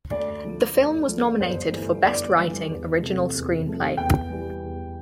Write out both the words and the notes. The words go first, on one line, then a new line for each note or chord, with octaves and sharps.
The film was nominated for Best Writing, Original Screenplay.
D2 D5
D3 F3 A3
D2
D3 F3 A3
G1 C5
G2 E3 A3
G1 D5
G2 E3 A3
E2
C3 F3 A3
E2
C3 F3 A3
E2 G5
E3 G3
E2